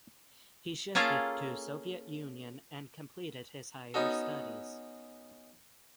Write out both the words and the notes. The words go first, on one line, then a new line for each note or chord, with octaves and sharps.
He shifted to Soviet Union and completed his higher studies.
A#3 C#4 F4 G#4 A4 F5
B3 C#4 D#4 F#4 A4